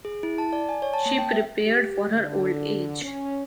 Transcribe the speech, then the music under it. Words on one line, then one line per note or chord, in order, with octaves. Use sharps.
She prepared for her old age.
G#4
E4
A5
D5
G#5
C#5
A5
A#3
G5
E5
G4
D3
C#4